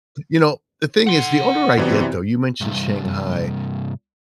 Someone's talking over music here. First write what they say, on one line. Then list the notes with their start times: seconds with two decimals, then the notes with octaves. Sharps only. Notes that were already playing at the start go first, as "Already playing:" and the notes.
You know, the thing is the older I get, though, you mentioned Shanghai,
1.07 F#5 C6
1.77 F#2 C3 E3 B3 E4 F#4 D5
2.61 C2 G2